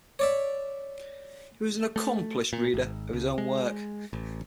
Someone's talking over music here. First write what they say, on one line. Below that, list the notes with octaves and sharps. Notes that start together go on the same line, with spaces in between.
He was an accomplished reader of his own work.
C#5 D5 E5
A3
A#2
G#1
C#2
G#3
A1